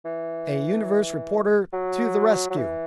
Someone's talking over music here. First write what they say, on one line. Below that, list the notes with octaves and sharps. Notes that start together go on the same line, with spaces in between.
A 'Universe' Reporter To the Rescue!
E3
F#3
F#3
E3